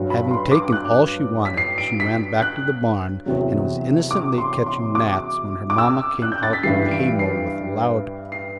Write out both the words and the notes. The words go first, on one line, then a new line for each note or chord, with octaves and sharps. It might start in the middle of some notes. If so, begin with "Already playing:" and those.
Having taken all she wanted, she ran back to the barn, and was innocently catching gnats when her mamma came out of the hay-mow with a loud.
Already playing: G2 F#3
B5
C6
D6
F#6
B6
C7
D7
B6
F#6
E2 C3 F#3
D6
C6
C6
D6
D6
E6
F#6
G6
A6
B6
G2 E3 G3 C7
D7
C7
C7